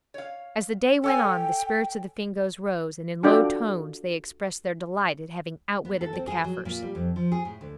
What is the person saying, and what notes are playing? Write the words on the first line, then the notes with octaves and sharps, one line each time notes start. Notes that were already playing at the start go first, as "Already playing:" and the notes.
As the day went on the spirits of the Fingoes rose, and in low tones they expressed their delight at having outwitted the Kaffirs.
C#5 F5
A4 C#5 G5 G#5
D4 F4 F#4 A4 D5 G5
B3
A4
C4
G#4
F#3
A#2
G3
F2
F3
G#4
A2
D2